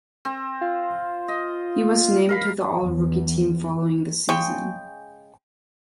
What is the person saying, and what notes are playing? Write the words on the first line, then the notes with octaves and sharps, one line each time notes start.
He was named to the All-Rookie Team following the season.
C4
F4
D#5
A#4 F5 B5
E2
C#3 G#3 G5 C#6